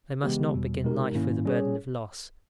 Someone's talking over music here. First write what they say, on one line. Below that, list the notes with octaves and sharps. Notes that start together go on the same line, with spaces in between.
They must not begin life with a burden of loss.
C#3 E3 G#3 B3 G4
E2 B2 G3
B2 G#3 D#4 G4 A#4
G#2 D#3 A#3 C#4 E4
G3 C#4 G#4 C#5